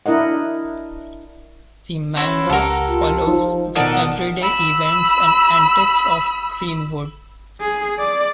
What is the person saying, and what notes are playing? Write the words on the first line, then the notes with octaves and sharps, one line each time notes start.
The manga follows the everyday events and antics of Greenwood.
D4 E4 A#4 D#5 F#5
C#4 E4 F#4 C5
C#2 G4 A4 A#4 F#5
F4
F3 D#4
B2 D#3 A4 A#4 D5 F#5 A5 D#6
B5 E6
G#4
D5